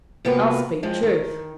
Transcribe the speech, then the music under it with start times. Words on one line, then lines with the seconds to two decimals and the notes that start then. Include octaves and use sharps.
I'll speak truth.
0.25 C3 A#3 B3 F4 F#4 B4
0.83 F2 F3 G#3
1.03 D#3